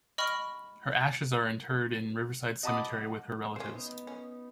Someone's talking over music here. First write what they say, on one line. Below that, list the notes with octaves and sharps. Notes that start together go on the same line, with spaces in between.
Her ashes are interred in Riverside Cemetery with her relatives.
D#5 G5 B5 C#6 F6
D#5 F#5 A5 B5 D6 D#6
G#3 C#4 C5
B3 D#4
C#4